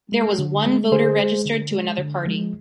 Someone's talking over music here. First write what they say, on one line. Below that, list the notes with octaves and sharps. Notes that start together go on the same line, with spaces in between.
There was one voter registered to another party.
G#3
D3
G#3
D3 G#4 C5
G#3
D3
G#3
D3
F3 G#3